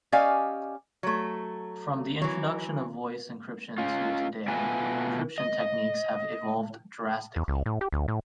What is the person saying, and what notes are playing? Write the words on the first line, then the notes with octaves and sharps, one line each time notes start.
From the introduction of voice encryption to today, encryption techniques have evolved drastically.
C#4 G4 D5 D#5 F5 G#5
F#3 A3
E3 F#3
C#4 F4
B2 A3 F4 F#4 B4 G#5
D#5
E2
C#2
A2
G4
D2
A2